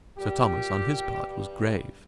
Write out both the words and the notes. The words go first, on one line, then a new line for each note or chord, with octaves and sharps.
Sir Thomas, on his part, was grave.
A#2 G3 G4
G2 G3